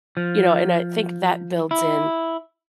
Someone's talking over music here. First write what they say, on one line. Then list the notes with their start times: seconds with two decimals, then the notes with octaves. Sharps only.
you know, and I think that builds in
0.17 F3
1.71 E4